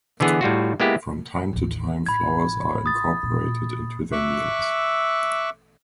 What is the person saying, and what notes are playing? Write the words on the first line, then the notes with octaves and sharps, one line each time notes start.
From time to time, flowers are incorporated into their meals.
D3 E3 B3 G#4
A2 G3 F4 F#4
G#3 A#3 B3 E4 G4
A1 D#2
A1 B5 G#6
D#6 A6
A#2
E5 C#6 D6 E6 F#6